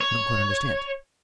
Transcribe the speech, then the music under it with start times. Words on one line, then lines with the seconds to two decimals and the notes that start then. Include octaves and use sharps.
"I don't quite understand."
0.01 C#5